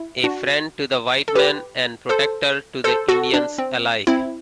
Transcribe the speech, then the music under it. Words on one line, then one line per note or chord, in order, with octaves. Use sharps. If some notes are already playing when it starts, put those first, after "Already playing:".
A friend to the white man and protector to the Indians alike.
Already playing: E4
D4 F#4
A4
G4 B4
A4 C5
A4 C5
F#4 A4
D4
C4
C4 E4